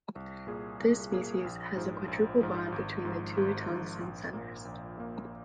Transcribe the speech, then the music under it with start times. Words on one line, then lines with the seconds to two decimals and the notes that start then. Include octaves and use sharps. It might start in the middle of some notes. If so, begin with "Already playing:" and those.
This species has a quadruple bond between the two tungsten centers.
0.16 C2
0.47 A#2 A#3 G#4
0.80 C2
1.11 A#2 A#3 G#4
1.44 A#1
1.77 G#2 F3
2.08 A#1
2.41 G#2 F3
2.72 G#1
3.05 G#2 F3
3.37 G#1
3.68 G#2 F3
4.01 A#1
4.33 A#2 A#3
4.65 A#1
4.98 A#2 A#3